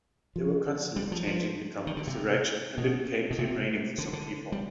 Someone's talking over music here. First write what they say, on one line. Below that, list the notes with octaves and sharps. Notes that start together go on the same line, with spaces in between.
They were constantly changing the company's direction, and it became too draining for some people.
F3
G3
F3
F3
D#3
D3
C3
B2
B2
C3
D3
D3
G3